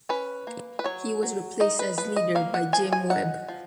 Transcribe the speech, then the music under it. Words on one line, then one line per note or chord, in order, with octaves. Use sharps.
He was replaced as leader by Jim Webb.
C#4 B4
A#3
B4
F#3 C#5
F#3
D#4 D#5
B4
F3 B4
D#5
A#3 F5
F#5
F3 G#5
G#5
D#4 F#5
F3